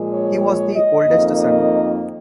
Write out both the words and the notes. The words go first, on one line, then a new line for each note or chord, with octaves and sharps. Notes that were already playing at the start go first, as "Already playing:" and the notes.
He was the oldest son.
Already playing: A#2 F3 G#3
C#5
D#5
F2 D#3 A#3
D#5